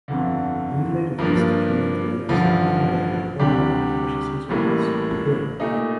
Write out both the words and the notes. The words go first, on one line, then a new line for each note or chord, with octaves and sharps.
Midgley refused to comment whether he had any involvement in processing Wang's will.
G1 F2 D3
G2 F3 A#3 D4
A1 G2 D3 F3
D2 C3 G3 D4 G4
A1 A2 G3 A#3
A#2 A3 D#4